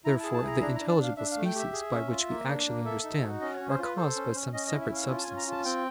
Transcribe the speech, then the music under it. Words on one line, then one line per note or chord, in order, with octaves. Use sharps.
Therefore the intelligible species, by which we actually understand, are caused by some separate substances.
E4 A#5
G#4 A5
A5
E4 A#5
D4 A#5
D4 A#5
A5
D4
F5
D4 E5
F5
A3
G5
G4 E5
G#4
C#4
F4
A#3
D4
A#3
A4 E5
D#4
F#4
C#4 D#5
C#4 C#5
C5
F4 B4
A4 C5
C#4
C#4
C#4 D#5
E4 D#5
E5
C#4 F5
F4
A5
C#4 G#5
A#5
F4 A5
C4 G5